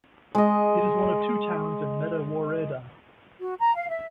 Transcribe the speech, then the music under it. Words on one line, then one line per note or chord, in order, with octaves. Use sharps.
It is one of two towns in Meta woreda.
G#3 D#5
F#4
A#5
F5
E5